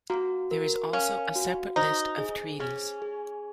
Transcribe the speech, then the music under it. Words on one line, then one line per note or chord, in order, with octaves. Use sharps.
There is also a separate List of treaties.
A#3 F#4
A#4
C#4 F5
F#4
D#4 C5
G#4
C#4 G#4
G#4